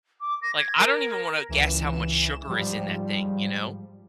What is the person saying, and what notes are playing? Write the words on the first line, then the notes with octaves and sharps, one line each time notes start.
like, I don't even wanna guess how much sugar is in that thing, you know?
D6
A#6
G#6
A#4
C#2 E3 E7
G#2 F3 G3